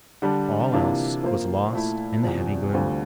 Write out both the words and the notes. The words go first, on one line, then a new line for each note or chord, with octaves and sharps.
All else was lost in the heavy gloom.
D3 G3 D4
C3 E3 A#3 D4 F4
F3 A#3 F4 C5
A#2 A3 E4
E2 C3 F3
D2 D3 G3 C4 F4